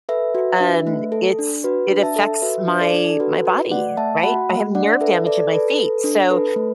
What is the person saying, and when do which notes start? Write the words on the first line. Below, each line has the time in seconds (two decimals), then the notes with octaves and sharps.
um, it's it affects my, my body, right? I have nerve damage in my feet, so,
0.09 A4 B4 E5
0.35 F#4
0.60 D4
0.87 A3
1.12 A4
1.39 D4
1.64 F#4 B4
1.91 D4
2.03 E5 A5
2.16 A4
2.42 F#4 B4 E5
2.68 D4
2.81 A4 D5
2.94 D4
3.10 A4
3.20 F#4 B4
3.45 F#4 B4
3.71 A3 D5 F#5
3.97 A3 E5 A5
4.23 F#4 F#5 B5
4.49 A3
4.75 D4 D5 F#5
5.01 A4 B4 E5
5.27 A4 D5
5.53 A4 B4
5.78 A4
6.04 D4
6.30 A4 B4
6.56 A3